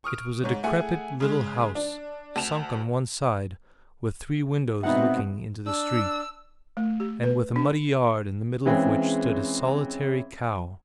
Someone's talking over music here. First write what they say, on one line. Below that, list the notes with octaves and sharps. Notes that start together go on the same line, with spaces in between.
It was a decrepit little house, sunk on one side, with three windows looking into the street, and with a muddy yard, in the middle of which stood a solitary cow.
C#6 D#6 F6 D7
G#2 C#5
A3 E4 G#4 F#5 G#5
C#3 G#3
D4
D2 A5 E7 F7
B2 G#3 B3 C4 D#4 E5 F#5
D4 E6
A3
G4
B4
D4
C#3 E3 G#3 C4 C#4